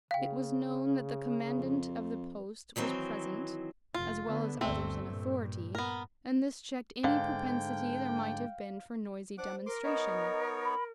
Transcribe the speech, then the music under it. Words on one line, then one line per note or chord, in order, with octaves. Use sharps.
It was known that the commandant of the post was present, as well as others in authority; and this checked any propensity there might have been for noisy demonstration.
C#3 F5 G5
F2
D#3 E3 F#3 C4
F1 F4
D3 B3
G1 D2 A3 C4
G2 A#2
B3 A#4
G#2 D3 F5 G5
D4 C5 F#5 D6
A#4 C6 D6
B3 D#4 C#5 D#5
B5